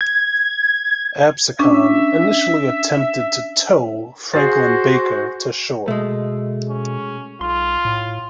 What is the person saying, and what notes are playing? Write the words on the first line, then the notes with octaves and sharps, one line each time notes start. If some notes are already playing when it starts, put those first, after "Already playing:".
"Absecon" initially attempted to tow "Franklin Baker" to shore.
G#6
C#4 D4 E5
F#4 G#4 C5 A6
B2 G#3 A3
C#4
B1 F4 C6
A2